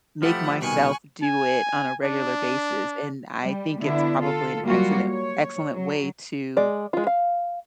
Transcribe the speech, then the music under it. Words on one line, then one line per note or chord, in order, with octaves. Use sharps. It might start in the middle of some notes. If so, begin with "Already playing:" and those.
make myself do it on a regular basis, and I think it's probably an excellent excellent way to
F3 G3 A3 G4 F#5 B5
C2 B2 D#3 G#5 C#6 F#6
G#5
D4
G3
D3 B3 D4 E4
F4 A4
F#3 G3 A#3 F4 F#4
C#5
F#3
G#3 D5
G#3 F4
F5